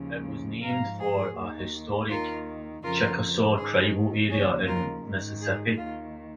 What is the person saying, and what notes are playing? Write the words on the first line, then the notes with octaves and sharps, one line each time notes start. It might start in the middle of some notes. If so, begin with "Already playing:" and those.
It was named for a historic Chickasaw tribal area in Mississippi.
Already playing: D#2 C#3 F3
G#2 F3 F5 A#5
G#4
D#2 D#3
D#2 D#3 F4 A#4
F2 C#3 F3 F4 A#4
G#2 D#3 G#4
D#2 C#3 F3 G#4 C#5
F4 A#4
G#2 D#3
G#4
D#2 D#3 F4